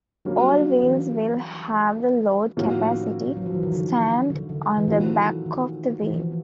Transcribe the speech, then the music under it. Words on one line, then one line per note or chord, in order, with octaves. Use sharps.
All wheels will have the load capacity stamped on the back of the wheel.
D3 F#3 G3 A#3 C#4 F#4
E3
A2 D#3 F3 A#3 C#4 F#4
F#3
F3
E3
D#3
D3
D3
D3
E3
A#2 D#3 F#3 A3 C4 E4
D#3
E3
F3
E3